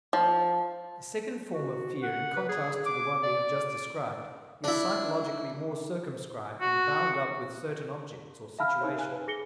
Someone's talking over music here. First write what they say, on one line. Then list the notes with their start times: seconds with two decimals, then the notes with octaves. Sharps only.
A second form of fear in contrast to the one we have just described is psychologically more circumscribed and bound up with certain objects or situations.
0.13 F3
1.54 F#4
2.02 F#5
2.36 B4
2.49 G#4
2.86 D6
3.23 D5
4.64 D4 E4
6.61 F#4
8.59 E5 F5 A5 B5 E6 F6
8.81 D#4 A#4 C#5
8.96 A#4 G#5 F#6
9.11 B4
9.28 G#4 A#6 C#7 G7